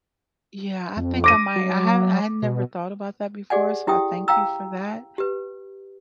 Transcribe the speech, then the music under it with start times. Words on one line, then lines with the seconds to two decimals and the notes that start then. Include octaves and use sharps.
Yeah, I think I might I have I had never thought about that before so I thank you for that,
0.97 F2
1.24 D6 A#6 D#7
1.56 F#3
2.42 B2
3.50 G4 G#4 D5 F#5 G#5
3.87 E4 G4 G5 D#6
4.28 F5 G5 A#5 E6
5.18 G4 B4